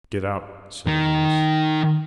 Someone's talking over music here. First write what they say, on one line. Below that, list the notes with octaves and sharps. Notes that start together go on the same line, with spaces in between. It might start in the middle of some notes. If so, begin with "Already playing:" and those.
"Get out," said a voice.
D#3